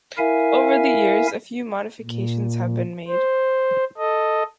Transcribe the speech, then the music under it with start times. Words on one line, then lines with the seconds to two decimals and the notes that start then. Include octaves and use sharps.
Over the years, a few modifications have been made.
0.18 E4 A#4 E5 F5 G#5
2.01 A#2
3.08 C5
3.97 A4 D#5